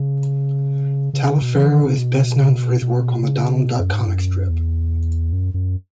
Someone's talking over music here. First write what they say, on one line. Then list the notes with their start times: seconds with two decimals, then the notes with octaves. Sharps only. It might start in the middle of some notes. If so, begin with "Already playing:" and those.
Taliaferro is best known for his work on the Donald Duck comic strip.
Already playing: C#3
1.13 C#3
1.28 C#3
1.42 B2
1.55 E3
1.70 D#3
1.84 C#3
1.98 B2
2.82 B2
3.23 C#3
3.65 B2
3.80 F#2
3.93 G#2
4.07 F#2
4.49 E2
5.33 F#2
5.54 F#2